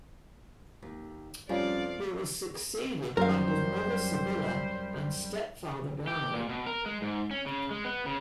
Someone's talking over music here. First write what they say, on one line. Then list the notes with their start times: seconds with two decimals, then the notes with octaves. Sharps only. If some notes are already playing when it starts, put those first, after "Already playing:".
He was succeeded by his mother Sibylla and stepfather Guy.
0.83 D#2
1.49 F2 G3 C#4 F4 D5 F5
3.17 F#2 G3 A#4 C5 F5
6.07 G4
6.34 A#2
6.49 B2
6.66 A#4
6.86 G#3
7.02 G#2
7.31 C#4
7.46 C#3
7.71 G#3
7.85 B3
8.06 C#3